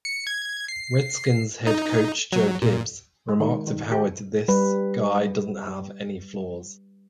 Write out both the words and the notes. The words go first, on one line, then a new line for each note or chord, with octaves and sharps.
Redskins head coach Joe Gibbs remarked of Howard This guy doesn't have any flaws.
C#7
G#6
C7
D#4
F#3
A#2
G#3
D#3
D#3
G4
G3 B4